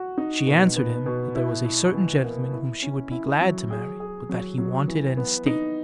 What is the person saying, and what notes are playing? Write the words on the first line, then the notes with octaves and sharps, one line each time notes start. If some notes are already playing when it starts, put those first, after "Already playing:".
She answered him, that there was a certain gentleman whom she would be glad to marry, but that he wanted an estate.
Already playing: F#4
D#4
B2
B3
B2
E4
E4
E3
A#3
E4
C#4
E4
F#3
G#4
G#4
F#3
F#3
E3
B3
D#4